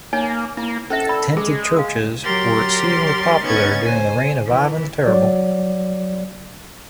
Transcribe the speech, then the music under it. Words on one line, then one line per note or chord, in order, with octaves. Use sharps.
Tented churches were exceedingly popular during the reign of Ivan the Terrible.
A#3 D#4 C#5 G#5
A#3 E4
C#4 A4 C5 E5
D5 B5
G#3 G#4
F5 D#6
F#3 G4 A#4 C6 A6
B3 C#4 D#4 C#6 G#6 A6
C5 G#5
E3
F#3 D5